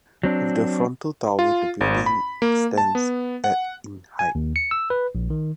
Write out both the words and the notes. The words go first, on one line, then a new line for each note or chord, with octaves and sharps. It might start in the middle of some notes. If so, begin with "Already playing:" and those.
With the frontal tower, the building stands at in height.
F#3 C4 D4
F4
G#1
B5
A#3
A5
B3
F#5
G#5
D#2
C#7
E6
B4
A#1
D#3